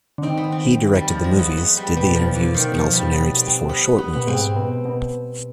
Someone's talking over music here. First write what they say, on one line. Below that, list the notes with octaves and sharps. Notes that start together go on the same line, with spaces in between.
He directed the movies, did the interviews and also narrates the four short movies.
D3
D#3 C4
B3
C4
G3
F3
G#3
B3
B3
G3
B2 G3
F3
D3
D#3
F3
G3
B3
C4
B3
B3
B3
B2 B3
G#2 C4
B2
B2